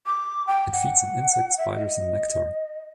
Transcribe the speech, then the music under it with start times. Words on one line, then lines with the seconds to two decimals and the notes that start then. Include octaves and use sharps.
It feeds on insects, spiders and nectar.
0.06 D6
0.47 G5
0.73 F#5
1.58 E5
1.76 D#5